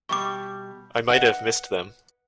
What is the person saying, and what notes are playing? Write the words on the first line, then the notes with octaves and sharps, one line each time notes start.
I might have missed them.
B2 G3 C#6 D6
B4 D#5 F#5